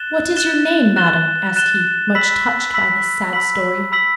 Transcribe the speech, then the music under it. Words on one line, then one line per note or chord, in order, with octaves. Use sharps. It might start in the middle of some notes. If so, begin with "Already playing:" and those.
'What is your name, madam?' asked he, much touched by this sad story.
Already playing: F#6 A6 E7 G7
F#6 A6 E7 G7
F#6 A6 E7 G7
F#6 A6 E7 G7
B5 E6 B6 F#7
B5 E6 B6 F#7
B5 E6 B6 F#7
B5 E6 B6 F#7